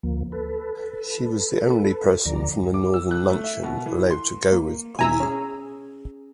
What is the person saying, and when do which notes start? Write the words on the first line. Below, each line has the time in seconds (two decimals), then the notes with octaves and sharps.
She was the only person from the Northern Mansion allowed to go with Puyi.
0.03 D2 F3 A#3
0.32 A4 B4
2.25 D2 D3 F3 D5 A#5
2.74 D6
2.94 E6
3.11 F#6
3.30 A3
3.44 E5
3.63 B2
3.86 E3
4.11 C6
4.53 A#3
4.99 B2 E4 G#5 A#5 E6
5.20 C#4 G#4